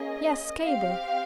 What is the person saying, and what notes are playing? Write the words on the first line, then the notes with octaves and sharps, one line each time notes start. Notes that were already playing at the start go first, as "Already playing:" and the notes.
'Yes, cable.
Already playing: A#3 C#4 G#4 D#5
C4 G4 F5